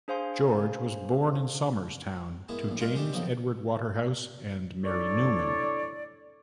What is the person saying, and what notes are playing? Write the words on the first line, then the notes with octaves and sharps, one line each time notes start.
George was born in Somers Town to James Edward Waterhouse and Mary Newman.
D4 G#4 C5 F5 G#5 C6
G#3 A#3 B3 E4
A#1 A2
G3 C4 F4 A#4 D#5 F5
G#3 A3 D4 G4 C5 E5
F2 D#3 F3 F#3 B3
D4 E4 A4 C#5 D5